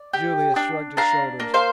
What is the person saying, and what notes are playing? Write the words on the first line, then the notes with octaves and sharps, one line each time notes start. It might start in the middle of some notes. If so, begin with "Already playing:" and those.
Julius shrugged his shoulders.
Already playing: D5
G4
D4
D4 F5 A#5
A#3
C5 F5